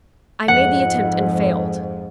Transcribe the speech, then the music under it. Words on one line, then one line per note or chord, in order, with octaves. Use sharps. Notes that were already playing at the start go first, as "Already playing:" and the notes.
I made the attempt and failed.
F2 G#2 F#5